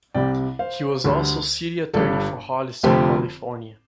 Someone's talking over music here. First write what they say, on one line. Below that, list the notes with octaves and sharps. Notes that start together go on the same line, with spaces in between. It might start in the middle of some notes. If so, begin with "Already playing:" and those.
He was also city attorney for Hollister, California.
C2 C3 G3 D5 G5
C5 F5
D2 D3 G3
G1 G2 G3 A4 D5
F1 F2 D3 F3 A3 G4 C5